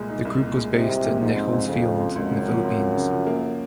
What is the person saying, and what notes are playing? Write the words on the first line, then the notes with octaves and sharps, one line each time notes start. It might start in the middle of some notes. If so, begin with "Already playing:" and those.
The group was based at Nichols Field, in the Philippines.
Already playing: C2 A#2 G#3
D#4
C2
A#2
G#3
C3 D#4
C2
A#2
G#2 F3
C4
C#2
F2 C#3
F3
C4
C#2 F#2
C#3
F3
C4
C#2
C#3
F3
A#3